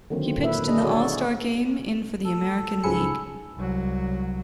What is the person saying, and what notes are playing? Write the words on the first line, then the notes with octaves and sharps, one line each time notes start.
He pitched in the All-Star Game in for the American League.
D3 D#3 F#3 A#3 C4
A#2 E4 B4 E5
D3 A3 D4 G#4 D#5
F#4 G#4 A4 C#5 D5
A4
C#2 G#2 G#5 B5 E6 C#7
C2 F#3